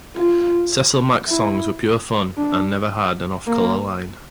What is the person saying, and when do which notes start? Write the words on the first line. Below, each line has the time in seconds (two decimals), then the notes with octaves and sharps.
Cecil Mack's songs were pure fun and never had an off-color line.
0.16 F4
1.27 E4
2.37 D4
3.47 A#3